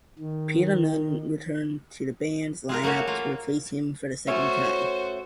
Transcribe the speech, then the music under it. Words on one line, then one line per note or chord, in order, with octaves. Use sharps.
Peter Nunn returned to the band's line-up to replace him for the second time.
D#3
G#3 F4 A#4
A3 A#3 C#4 F#4 C#5
A#3 F4
A3 C#4 F#4 C5 C#5